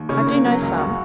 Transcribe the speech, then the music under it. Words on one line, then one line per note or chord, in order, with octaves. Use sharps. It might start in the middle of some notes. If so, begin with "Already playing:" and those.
"I do know some."
Already playing: D#2
C#3 C#4
A#3
F#3
C#2
F#2 F#4